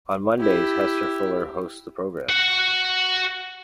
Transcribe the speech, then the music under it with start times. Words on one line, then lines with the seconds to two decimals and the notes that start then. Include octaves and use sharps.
On Mondays Hester Fuller hosts the program.
0.39 E4 G4
2.29 F#4 F#5